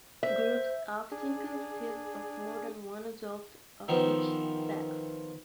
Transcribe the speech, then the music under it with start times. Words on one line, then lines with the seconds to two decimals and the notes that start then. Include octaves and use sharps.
Groups often consist of more than one adult of each sex.
0.23 C5 E5
1.12 D4 G#4
3.88 D#3 F3 B3 C4